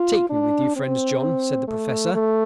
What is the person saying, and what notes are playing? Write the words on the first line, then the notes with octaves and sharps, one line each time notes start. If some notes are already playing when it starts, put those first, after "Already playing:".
"Take me with you, friend John," said the Professor.
Already playing: F4
D4
C4
A3
A3